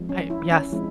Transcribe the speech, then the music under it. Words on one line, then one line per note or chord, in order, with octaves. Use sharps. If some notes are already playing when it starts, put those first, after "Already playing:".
I yes,
Already playing: F3 G#3 C4
C#4
E4
C#4
F3 G#3 C4 E4